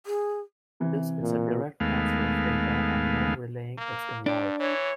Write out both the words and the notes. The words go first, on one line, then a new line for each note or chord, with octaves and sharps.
This is a direct transfer of data and no relaying is involved.
G#4
C3 E3
A#2
D#2 G#3 A3 B3 F5
A#3
G2 D4
E3 C#5